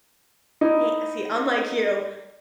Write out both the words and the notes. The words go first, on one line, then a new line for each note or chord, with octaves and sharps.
ha see, unlike you,
D#4 E4